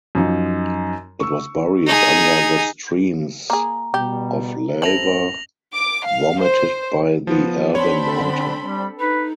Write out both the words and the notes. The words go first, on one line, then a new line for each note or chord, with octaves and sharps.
It was buried under the streams of lava vomited by the Alban Mountain.
F#2 F3 D#4
C#6 E6
D#4 G#4
A#3 G#4 A#5
B2 G3 G4
A1 C4 E4 A4 C5 A#6 F7 F#7
D6
F5
C5
F3 B3
C4 D4 C#5 B5 C6
D3 A4
G3
D#4 B4